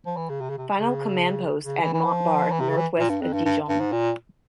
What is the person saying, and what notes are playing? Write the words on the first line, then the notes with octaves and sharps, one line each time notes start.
Final command post at Montbard northwest of Dijon.
F3
E3
C#3
C3
C#3
C3
C#3
C#3
E3
E3
F3
E3
C3
C#3
E3
A#2
G2
F2
G2
G2
G2
G#2
A#2